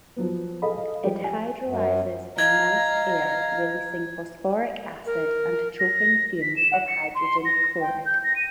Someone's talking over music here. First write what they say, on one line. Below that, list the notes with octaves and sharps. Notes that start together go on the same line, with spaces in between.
It hydrolyses in moist air releasing phosphoric acid and choking fumes of hydrogen chloride.
F3 F#3 B3
G#4 A4 D#5 F5 B5
F3 G3 G#3 G4
G4 G#5
F#2
D#5 F5 A#5 G#6
A#4
A#6
B6
E7
F#5
C#7
C6
A#6
G5
G6
A#6
D#7